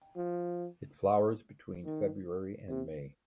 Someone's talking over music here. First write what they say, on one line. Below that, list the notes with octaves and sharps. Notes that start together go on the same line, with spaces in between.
It flowers between February and May.
F3
D#3
C3